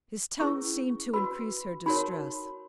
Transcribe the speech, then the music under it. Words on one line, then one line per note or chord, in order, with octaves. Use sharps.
His tone seemed to increase her distress.
C#4 E4 G#4 B4 C#6
F#4 B4 B5
D#4 F#4 A#4 C#5 B5